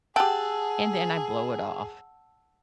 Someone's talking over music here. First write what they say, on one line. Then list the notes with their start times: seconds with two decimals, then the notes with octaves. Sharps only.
and then I blow it off.
0.16 G4 G#4 F#5 G5 A5 E6